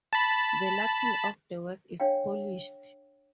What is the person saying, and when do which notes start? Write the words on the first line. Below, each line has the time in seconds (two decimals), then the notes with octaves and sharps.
The Latin of the work is polished.
0.13 A5 B5
2.00 D4 C#5 F5 G5